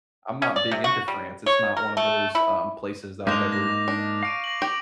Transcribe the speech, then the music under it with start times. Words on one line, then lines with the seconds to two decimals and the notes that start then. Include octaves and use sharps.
I'm not big into France, it's not one of those, um, places that I've ever
0.42 C#4
0.56 D5
0.71 C3
0.84 F#4
1.08 G3
1.46 C#5
1.77 A#4
1.97 A3
2.35 E4
3.27 G#2 G#3 A#3 D4 D#4 D6 G6 F7
3.52 A#6
3.88 D4
4.23 F5 C#6 D7 D#7
4.44 A#6 F#7
4.62 G4